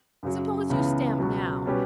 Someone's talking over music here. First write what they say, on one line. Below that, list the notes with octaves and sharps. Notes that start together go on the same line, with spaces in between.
Suppose you stamp now.'
F#2 C#3 F#3
C#2 C#3 E3 B3
C#2 B2 F#3 B3 F#4
B2 G3 C#4 G4 B4